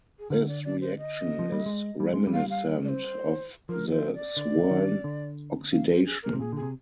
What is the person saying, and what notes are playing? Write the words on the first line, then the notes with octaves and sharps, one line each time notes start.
This reaction is reminiscent of the Swern oxidation.
G#4
D3 A#4
D5
D5
C5
D#5
F3
G3
G#3
G3
G#3
G3
F5
F5
D5
C5
F3 A#4
C5
D5
D3
D#3
D3
F5
C5
G#4
A#4
C3
A#2 G#4
D3 G#4
C3